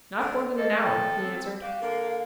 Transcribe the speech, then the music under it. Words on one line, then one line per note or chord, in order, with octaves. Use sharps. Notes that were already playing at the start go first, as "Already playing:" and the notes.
"Not more than an hour," he answered.
D3
E2 F3 A4 D#5
G5
C4
F#4 G4 F5
D3 A#3